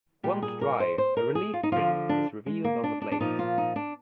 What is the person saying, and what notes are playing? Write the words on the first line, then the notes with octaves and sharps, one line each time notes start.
Once dry, a relief print is revealed on the plate.
A#2 G3 G4
G#4
A#4
C5
C5
A#4
G#4
F4
D#4
D3 F3 F4
D4
G#3
A#3
D4
D4
D4
A#2 F3 D#4
F4
D#4
D4